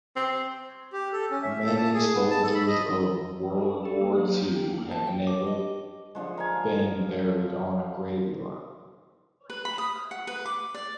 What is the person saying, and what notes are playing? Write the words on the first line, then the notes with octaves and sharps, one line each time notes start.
Many soldiers of world war two have never been buried on a grave yard.
C4
G4
A4
C#4
E5
A4
A5
G#4
B3
A5
A4
B5
D#5
A4
A#3
F#3
G4
G5
A#3
A5
G5
D6
D#5
D3 F3 G#3
A#4 F5 G#5
B4
B5
D#6
F#5
B4
D6
D5